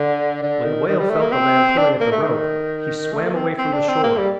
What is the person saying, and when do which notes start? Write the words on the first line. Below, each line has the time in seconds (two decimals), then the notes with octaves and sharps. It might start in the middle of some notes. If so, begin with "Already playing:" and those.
When the whale felt the lamb pulling at the rope he swam away from the shore.
Already playing: D3
0.43 D3
0.65 D#3
0.88 D#3
0.99 G3
1.10 A3
1.21 A#3
1.32 C4
1.78 D4
2.00 A#3
2.12 A3
2.23 D#3
3.13 A3
3.24 A#3
3.36 C4
3.58 C4
3.73 D4
3.88 C4
4.03 A#3
4.18 G3